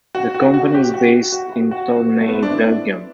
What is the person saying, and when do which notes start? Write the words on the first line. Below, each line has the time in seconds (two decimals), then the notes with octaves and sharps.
The company is based in Tournai, Belgium.
0.15 F#4
0.34 F#4
0.54 F#4
0.74 G4
0.94 F#4
1.32 F#4
1.71 F#4
2.21 A3
2.28 B3
2.35 C4
2.43 D4
2.50 E4